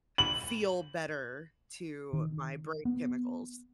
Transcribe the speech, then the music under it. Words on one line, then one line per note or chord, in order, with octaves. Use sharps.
feel better to my brain chemicals?"
F#7
D#3
B3